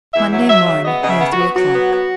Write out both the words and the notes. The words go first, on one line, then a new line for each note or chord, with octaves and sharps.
'Monday morn, near three o'clock.'
E2 E5
F#3 E5
F#3 E5
C#3 E5
B3 D#5
C#3 D#5
E5
B3
F#4
B3
F#3 F#4
B3
B3